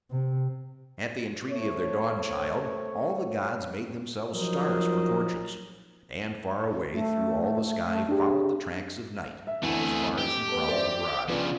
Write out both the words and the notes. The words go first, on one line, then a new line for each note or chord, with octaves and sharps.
At the entreaty of Their Dawnchild all the gods made Themselves stars for torches, and far away through all the sky followed the tracks of Night as far as he prowled abroad.
C3
A3 C4 C#5
F3 F#3 D#4 A#4 C5 D#5
A3
A3
D4 G4 G#4
E5
D2 E3 A3 C4 G#4
G4
A3 B3
C5 D5 E5
F2 C#3 B3 D4 F4